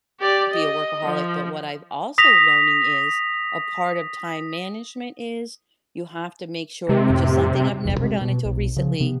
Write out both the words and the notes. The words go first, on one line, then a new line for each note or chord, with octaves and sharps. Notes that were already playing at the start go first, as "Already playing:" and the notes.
be a workaholic, but what I've also learning is a part of time management is you have to make sure, which is something I've never done until recently,
G4 D5
D#5
F3
D#6 A#6 B6 F7
C3 G#3
F2 A2
F#1 B1 E2
C3 G3 G#3
B2
B1
C#3 F3
C3 B3